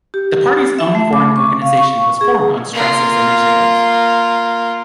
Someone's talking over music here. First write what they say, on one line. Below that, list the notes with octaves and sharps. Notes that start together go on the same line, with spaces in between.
The party's own foreign organization was formed on Strasser's initiative.
G4
E5
A3
D6
C#6
F5
C#6
G#4
A#3 F4